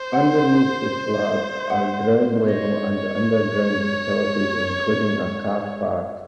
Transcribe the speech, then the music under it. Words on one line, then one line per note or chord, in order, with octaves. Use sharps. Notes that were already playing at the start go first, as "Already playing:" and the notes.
Underneath the slab are ground-level and underground facilities, including a car park.
Already playing: C5
F#5
F#5
C#5 D#5